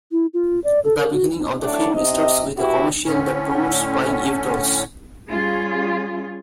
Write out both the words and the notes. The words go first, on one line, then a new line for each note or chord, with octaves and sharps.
The beginning of the film starts with a commercial that promotes buying Eve dolls.
E4
F4
D5
A4
A#4
F#4
A2 F#3 A3 D4
C3 D#5
E2 E4 F#4 G4
A2 D3 C#4
G3 C#4 F4 G#4